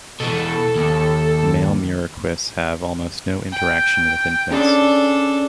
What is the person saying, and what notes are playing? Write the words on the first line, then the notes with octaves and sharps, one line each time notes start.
Male muriquis have almost no interaction with infants.
B2 E3 A4
D#2
G5
C#4 D4 G#4 A4 D5